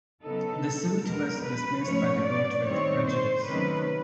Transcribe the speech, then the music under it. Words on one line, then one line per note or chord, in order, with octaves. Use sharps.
The suit was dismissed by the court with prejudice.
C#3 F#3 B3 D#4 A4
E2 B2 G#3 B3 A#4
B4
G#2 F3 A3 C#4 C#5
D5
G2 D#3 G3 C4 C#5
C5
C3 D#3 F#3 A3 C#4 B4